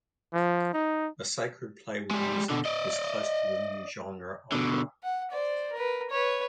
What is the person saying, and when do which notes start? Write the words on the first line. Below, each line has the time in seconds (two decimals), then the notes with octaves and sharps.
A sacred play with music was close to the new genre opera.
0.33 F3
0.73 D#4
2.11 G3 G#3
2.49 B2 D3
2.65 D5 D#5
4.52 B2 D3
5.03 F#5
5.31 C5 D5
5.73 A#4 B4
6.10 B4 C#5